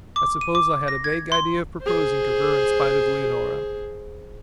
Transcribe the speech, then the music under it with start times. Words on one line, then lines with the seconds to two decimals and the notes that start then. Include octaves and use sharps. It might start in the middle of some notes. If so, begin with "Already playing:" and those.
I suppose I had a vague idea of proposing to her in spite of Leonora.
0.16 D6
0.41 D#7
0.55 D6
0.88 A#6
1.04 G#6
1.32 C6
1.82 G#4 C5